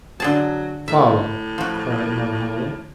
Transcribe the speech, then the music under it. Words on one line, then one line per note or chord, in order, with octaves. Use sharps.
"Follow," cried Norhala.
D3 F#3 G#4 A5
A2 E5
F3 F#4